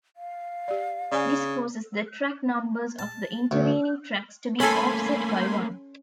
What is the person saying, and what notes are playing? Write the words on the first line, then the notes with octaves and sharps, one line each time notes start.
This causes the track numbers of the intervening tracks to be offset by one.
F5
G4 D5
C#3 D5 G#5
A5
D2
A3 A#3 C#4 A4 G#5 B5 C6